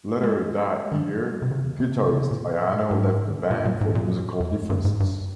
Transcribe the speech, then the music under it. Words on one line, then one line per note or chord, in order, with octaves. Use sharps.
Later that year guitarist Ayano left the band for musical differences.
G#3
D#3
F3
G3
C3
C#3
C3
C#3
C3
C#3
C3
C#3
C3
A#2
G#2
A#2
A#2
G#2
A#2
F2
G2
G#2
G2